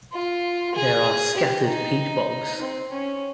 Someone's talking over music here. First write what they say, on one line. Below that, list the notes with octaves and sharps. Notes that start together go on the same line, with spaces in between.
There are scattered peat bogs.
F4
G#4
G4
D#4
C4
C#4